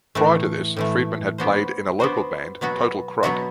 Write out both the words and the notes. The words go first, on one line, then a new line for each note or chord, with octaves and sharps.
Prior to this, Friedman had played in a local band, Total Crud.
A2 E3 A3
A2 E3 A3
B3 D4 F#4 C5
B3 D4 F#4 C5
B2 F#3 B3 F#4
B2 F#3 B3 F#4